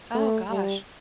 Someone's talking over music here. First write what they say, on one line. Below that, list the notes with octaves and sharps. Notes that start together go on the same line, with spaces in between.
Oh gosh.
A3
G3